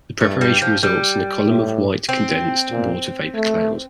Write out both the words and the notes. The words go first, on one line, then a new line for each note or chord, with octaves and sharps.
The preparation results in a column of white condensed water vapour cloud.
G2 A3
G3
F3
G3
A2
C4
A#2
A3